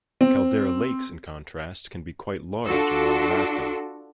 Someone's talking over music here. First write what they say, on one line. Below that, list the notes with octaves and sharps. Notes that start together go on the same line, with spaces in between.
Caldera lakes in contrast can be quite large and long-lasting.
C4
D4 F4 F#4 A4